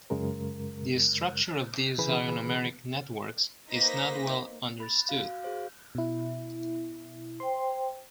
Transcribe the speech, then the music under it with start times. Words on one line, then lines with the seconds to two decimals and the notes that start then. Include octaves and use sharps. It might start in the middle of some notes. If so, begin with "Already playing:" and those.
The structure of these ionomeric networks is not well understood.
0.10 F#2 C#3 G#3 A#4
1.98 C#3 E3 G#4 B4 B5
3.69 A#3 D#4 B4 C5 A#6 B6
4.80 B5 A6
5.09 F#4 F5
5.43 F#4 G#4 C5 F5
5.95 B2 E4
7.40 C5 G5 C6